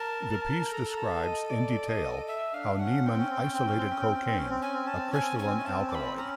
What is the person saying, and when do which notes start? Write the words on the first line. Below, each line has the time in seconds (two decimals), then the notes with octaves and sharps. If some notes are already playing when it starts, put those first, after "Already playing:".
The piece describes, in detail, how Niemann isolated cocaine, a crystalline alkaloid.
Already playing: A#4 A5
0.32 A#4
0.71 A4 A#5
0.97 A5
1.24 D#5
1.50 D5
1.88 D#5
2.27 E5
2.53 D4 F5
2.79 C#4 F#5
3.05 C4 G5
3.17 C#4
3.29 C4
3.41 C#4
3.53 C4
3.66 C#4
3.78 C4
3.90 C#4
4.02 C4
4.13 C#4
4.25 C4
4.37 C#4
4.49 C4
4.61 C#4 G#5
4.73 C4
4.85 C#4 A5
4.97 C4
5.10 C#4 G#5
5.21 C4
5.33 C#4
5.39 G#5
5.45 C4
5.57 C#4
5.66 C4 A5
5.91 D6
5.95 B5
6.17 C#4 A#5